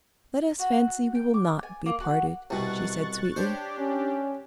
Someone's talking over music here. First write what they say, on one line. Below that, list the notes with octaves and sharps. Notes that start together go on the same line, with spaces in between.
"Let us fancy we will not be parted," she said sweetly.
F#4
G5
D6
G#5
A#3
F#4
C2 B2 C#6 F#6 A6
D4 G4 C5 C#5
C#4